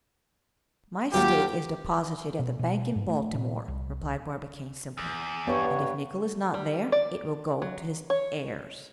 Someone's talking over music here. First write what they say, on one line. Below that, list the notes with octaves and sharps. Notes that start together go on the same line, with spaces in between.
"My stake is deposited at the bank in Baltimore," replied Barbicane simply; "and if Nicholl is not there, it will go to his heirs."
D#2 F#3 F4 G4
B2
B2
G#2
A3
A#2
C2
E2
G2 B3 C#5
G3
D5
F#3
C#5